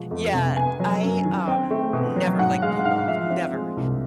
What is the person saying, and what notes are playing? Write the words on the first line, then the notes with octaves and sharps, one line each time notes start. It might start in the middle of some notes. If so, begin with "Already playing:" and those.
Yeah, I, um, never liked pinball, never,
Already playing: B2 F3 G#3
F2
C3
B3 G#5
F#3
F#2
D#3
C4 G5
A3
B2
F#3
G#2 F#5
G#3 F5
G#2 F5
F3 E5
C4
G#3
C2